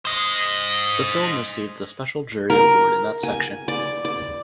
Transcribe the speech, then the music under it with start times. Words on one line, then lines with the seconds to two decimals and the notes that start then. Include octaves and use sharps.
The film received the Special Jury Award in that section.
0.05 C5 D#5
2.50 A#4
3.23 G#5
3.68 D5
4.05 D5